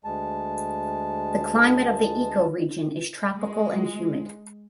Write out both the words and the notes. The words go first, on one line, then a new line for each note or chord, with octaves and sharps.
The climate of the ecoregion is tropical and humid.
D2 G#3 A5
G#3